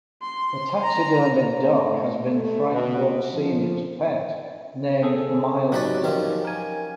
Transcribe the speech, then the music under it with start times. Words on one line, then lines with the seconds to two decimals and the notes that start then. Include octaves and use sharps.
The taxidermied dog had been Frank Wood Sr.'s pet, named Miles Duffy.
0.22 C6
0.82 A#5
1.70 A3
2.26 A3
2.71 B2
3.32 F3
5.02 C4 G#4 A4
5.72 F#3 D#4 G4 B4 D5
6.04 D#3 F3 C#4
6.45 A#4 G#5